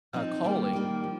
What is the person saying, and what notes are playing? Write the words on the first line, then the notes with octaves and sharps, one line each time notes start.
a calling
F3 C4 D#4
D#3 G3 A#3
D#3 G3 A#3
F3